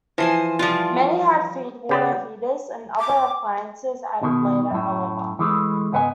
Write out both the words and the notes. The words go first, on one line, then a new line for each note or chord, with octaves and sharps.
Many had feedwater heaters and other appliances added later, however.
E3 F3 C5 G#5
F3 G3 F4
C#3 G4 D5
D6
B2 D#3
F#2 A2
E3 G#3 A3 B4
C#2 G#2 B3 B4 D#5 G#5